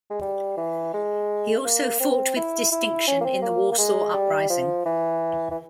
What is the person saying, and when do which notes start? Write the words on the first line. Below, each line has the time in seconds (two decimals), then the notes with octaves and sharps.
He also fought with distinction in the Warsaw Uprising.
0.10 G#3
0.21 G3
0.57 E3
0.93 G#3
1.65 A#3
2.00 C4
2.36 E4
2.72 E4
3.08 C#4
3.21 A#3
3.25 C4
3.42 A#3
3.71 A#3
3.78 G#3
4.13 G3
4.50 F3
4.85 E3
5.51 E3